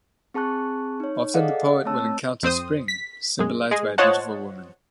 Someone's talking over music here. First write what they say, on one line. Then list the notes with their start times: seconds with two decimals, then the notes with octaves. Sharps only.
Often the poet will encounter Spring, symbolized by a beautiful woman.
0.34 C4 G#4 A5 C#6 F#6
1.00 D#4 C#5
1.34 G#4 A4 D5 D#5 F5 F#5
1.85 A3 C4 C#5 A5 E6
2.43 F2 C4 C5 D#6
2.88 B6
3.39 F#2 G#3
3.71 G#3 G#4
3.98 F4 C5 C#5 D#5 F#5 A5